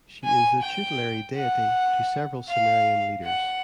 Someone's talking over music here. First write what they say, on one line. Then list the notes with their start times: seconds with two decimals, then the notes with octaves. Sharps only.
She is the tutelary deity to several Sumerian leaders.
0.25 G#5
0.62 G5
1.37 F#5
2.49 F5
3.25 F#5